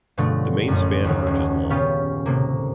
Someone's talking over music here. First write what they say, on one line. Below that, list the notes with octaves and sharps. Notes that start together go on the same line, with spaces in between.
The main span arch is long.
G2 B2 D3 F3 F#3 A3
A1 F#2
D#2 C#3 F#3
D#1
A#2 C#3 B3 C#4 F4 G4
A2 C3 A#3